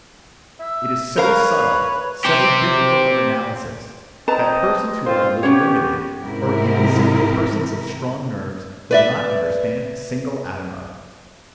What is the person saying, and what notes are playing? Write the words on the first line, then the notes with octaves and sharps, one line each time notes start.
It is so subtle, so difficult of analysis, that persons who are a little limited, or even simply persons of strong nerves, will not understand a single atom of it.
E5
A#4 B4 C#5 F5
G4 C5
C4 B4 D#5 A5 A#5
C4 F4 C5
B3 C#4 G4 C#5
G#2 C3 E4 A#4
B4 D5 E5